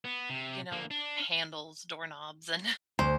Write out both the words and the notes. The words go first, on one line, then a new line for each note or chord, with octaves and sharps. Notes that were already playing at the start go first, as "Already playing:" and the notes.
you know, handles, doorknobs, and
B3
C3
D3 A#3
D4
D2 C5